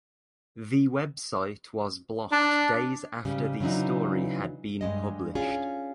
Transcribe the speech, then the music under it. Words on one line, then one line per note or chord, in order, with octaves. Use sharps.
The website was blocked days after the story had been published.
D4
G#2 C#3 G3
C#3 E3 F#3 D4 D#4
G2 G#3 D#5
C#4 F4 G#4